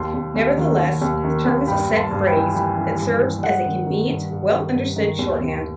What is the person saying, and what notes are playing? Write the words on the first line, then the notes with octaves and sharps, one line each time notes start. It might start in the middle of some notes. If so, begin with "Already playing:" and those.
Nevertheless, the term is a set phrase that serves as a convenient, well-understood shorthand.
Already playing: D#2 A5 C6
D#2
D#2
D#3
D#3
D#2
D#3
D#2
G2 G5 B5
G2
A5 C6
G2
G5 B5
E3
E3 G5 B5
E3
G2
G2
G2 D#5 F#5
D#3
D#3
G2
G2
D#3
G2
D#3
D#2
D#2